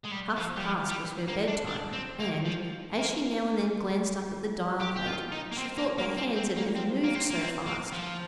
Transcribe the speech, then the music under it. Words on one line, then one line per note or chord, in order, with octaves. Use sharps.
Half-past was her bedtime; and, as she now and then glanced up at the dial-plate, she thought the hands had never moved so fast.
G#3
G3
F3
G3
F3
G3
A#3
D4
D4
C4
A#3
F3
A#3
G4
G4
F4
D#4
A#3
C4
A#3
A#3
C4
C4
A#3
C4
A#3
C4
A#3
C4
A#3
F3